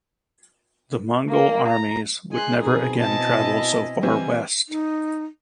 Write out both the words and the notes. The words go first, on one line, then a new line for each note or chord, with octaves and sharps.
The Mongol armies would never again travel so far west.
A#3
A#5
G#3 G#5 C6 F#6
B2 C4 D#4 G#4 G#5
E4 D#5 A5
E3 G3 C4 G#5
D#4